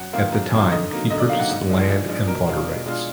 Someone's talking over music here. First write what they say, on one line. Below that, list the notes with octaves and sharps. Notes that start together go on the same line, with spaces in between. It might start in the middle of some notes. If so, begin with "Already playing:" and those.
At the time he purchased the land and water rights.
Already playing: F#2 F#5
D#3 A#3 F4 F5
F#2
D#3 A#3 F4
D3 D#5
F#3 A#3 D#4
D3 D#5
D5
F#3 A#3 D#4 F5
F#5
G#2
F3 G#3 D4
G#2
F3 G#3 D4
B2 A#4
G#3 D4 F4
B2
G#3 D4 F4